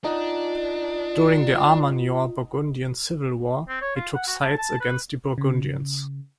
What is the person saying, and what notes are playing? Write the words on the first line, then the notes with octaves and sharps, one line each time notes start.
During the Armagnac-Burgundian Civil War he took sides against the Burgundians.
D4 D#4 F4 F#5
C4
C#5
F4
F#5
F#4
A5
A5
B4
C#3